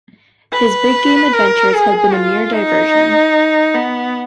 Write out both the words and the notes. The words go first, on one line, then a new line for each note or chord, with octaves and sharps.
His big-game adventures had been a mere diversion.
B4
A#4
G#4
F4
D#4
B3